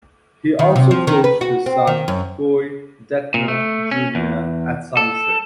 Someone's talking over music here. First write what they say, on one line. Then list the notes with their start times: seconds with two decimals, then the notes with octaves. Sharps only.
He also coached his son, Koy Detmer Junior at Somerset.
0.59 D#3
0.76 C3
0.91 F3
1.07 D#3
1.24 B4
1.41 F#4
1.66 C4
1.87 D#3
2.08 F#2
3.34 A#2
3.48 A3
3.91 C#4
4.15 E2
4.97 A4